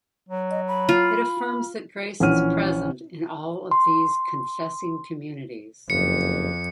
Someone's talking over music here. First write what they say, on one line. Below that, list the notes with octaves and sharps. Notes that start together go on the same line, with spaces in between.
'It affirms that grace is present in all of these confessing communities.
F#3
D#5
B5
F4
A#1 E3 C#4 F#5 F6 D#7
C6
F#1 F2 C#7